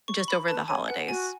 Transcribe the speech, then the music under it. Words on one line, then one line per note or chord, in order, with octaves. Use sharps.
just over the holidays?
C#6
C#6
B5
B4 A5
C#5 G#5
B4 F#5
F#4 G#5